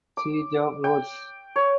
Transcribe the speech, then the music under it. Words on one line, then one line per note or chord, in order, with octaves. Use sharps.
Siege of Rhodes.
D6
G5
C#5